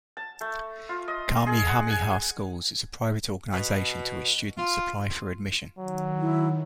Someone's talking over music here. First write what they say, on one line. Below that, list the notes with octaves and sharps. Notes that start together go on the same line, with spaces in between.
Kamehameha Schools is a private organization to which students apply for admission.
A5
A3
F4
D#5
G#4
F#5
G#5
B2
F4
D#3 F#3
E4